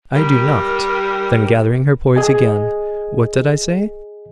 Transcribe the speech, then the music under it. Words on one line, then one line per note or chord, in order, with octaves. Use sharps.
"I do not!" Then gathering her poise again, "What did I say?"
G3 A#4
G#4 D#5 G#5